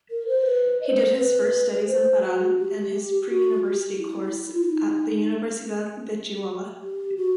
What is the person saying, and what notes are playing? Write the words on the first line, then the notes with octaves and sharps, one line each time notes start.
He did his first studies in Parral and his pre-university course at the Universidad de Chihuahua.
A#4
C5
B4
D#5
C5
B4
C5
F#4
G4
F#4
G4
E4
F4
E4
D#4
G4
F#4